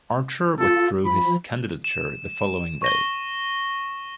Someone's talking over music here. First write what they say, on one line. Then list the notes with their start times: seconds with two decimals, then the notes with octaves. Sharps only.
Archer withdrew his candidature the following day.
0.60 F4 A4
1.05 F3 B5
1.84 E7
2.82 C#6 A#6 G7